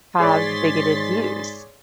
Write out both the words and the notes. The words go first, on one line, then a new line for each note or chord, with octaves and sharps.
have bigoted views,
G#2 G#4 C#5 D5 C6 A6 B6